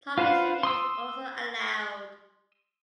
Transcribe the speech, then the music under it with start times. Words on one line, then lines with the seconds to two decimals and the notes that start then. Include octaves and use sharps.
Target shooting is also allowed.
0.18 F4 B4 C5 F5 F#5
0.63 C6 D#6 E6